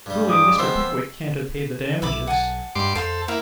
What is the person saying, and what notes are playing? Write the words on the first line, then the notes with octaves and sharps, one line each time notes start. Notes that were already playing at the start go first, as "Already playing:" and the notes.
Surely Mr. Pickwick can't have paid the damages.'
G2 G3
G#3 D6 D#6
F3 B3 C4 C6 E6
B1 E5 B5 D6
F#5 G#5 A5
G2 G#3 C6 D6
F2 A4 C5 F5 C6
A#3 E4 F5